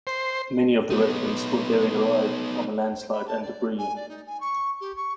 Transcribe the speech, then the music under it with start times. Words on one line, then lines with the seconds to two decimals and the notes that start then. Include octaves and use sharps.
Many of the residents were buried alive from a landslide and debris.
0.07 C5
0.90 B3 D#4
2.97 C5
3.12 B5
3.27 A5
3.42 D5
3.78 G#5
3.96 D5
4.09 D#4
4.27 G#5
4.40 C#6
4.81 G4
4.97 C#6